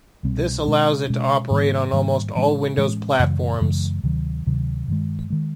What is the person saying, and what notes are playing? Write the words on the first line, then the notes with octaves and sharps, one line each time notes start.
This allows it to operate on almost all Windows platforms.
C2 B2 G3 C4
B2 G#3 C#4
B2 G#3 C#4
G#2 D#3 G3 A#3
G#2 D#3 G3 A#3
A2 E3 G#3 C#4
A2 E3 G#3 C#4
F#2 C#3 E3 G#3
F#2 C#3 E3 G#3
D2 C3 D#3 F#3
D2 C3 D#3 F#3
G2 D#3 G#3
D#3 G#3